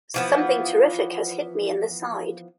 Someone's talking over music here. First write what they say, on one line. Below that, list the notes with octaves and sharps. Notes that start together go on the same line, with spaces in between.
Something terrific has hit me in the side.
E3 F3 B3